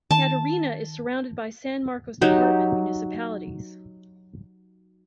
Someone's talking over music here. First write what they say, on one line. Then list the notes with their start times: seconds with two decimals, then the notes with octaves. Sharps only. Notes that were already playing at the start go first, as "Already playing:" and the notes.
Catarina is surrounded by San Marcos Department municipalities.
0.11 D#3 A5
2.21 F#3 D#4 G4